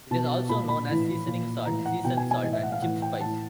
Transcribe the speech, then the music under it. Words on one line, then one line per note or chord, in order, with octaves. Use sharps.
It is also known as seasoning salt, season salt, and chip spice.
B2 A5
A#2 B5
B5
A2 E3
A#2
A2 E3 A#5
F#5
B2 G5
G#5
G#5
A2 E3 D#5
E5
F#5
F5
A2 E3 F#5
G5
A2 E3 A5